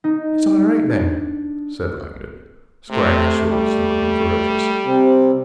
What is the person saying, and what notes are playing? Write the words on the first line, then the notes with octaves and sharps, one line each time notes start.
"It's all right, then," said Langdon, squaring his shoulders, and looking ferocious.
D#4
D4
C3 A3
G3
C3 C4